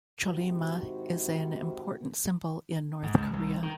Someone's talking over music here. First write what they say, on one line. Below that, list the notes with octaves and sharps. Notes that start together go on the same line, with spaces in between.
Chollima is an important symbol in North Korea.
G#2 C3 D#3 E4 F#4
G#2
C#2
C2
D#3